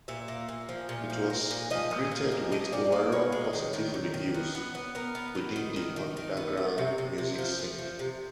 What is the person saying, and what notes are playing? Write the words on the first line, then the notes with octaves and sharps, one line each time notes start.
It was greeted with overall positive reviews within the underground music scene.
A#2 E5
A#3
A#2
F3
A#2
F3
A#3
A#2
F3 D#5
A#2
F3
A#3
F3 D#5
A#2 D5
A#3 D5
A#3 C#5
G#3
D#3
D#3
D#3
D#3
B3
B3
B3
B3 A#4
B3
D#3
D#3
D#3
D#3
D#3
B3
A3
C3
C3
C3
F3
A3
F3
C3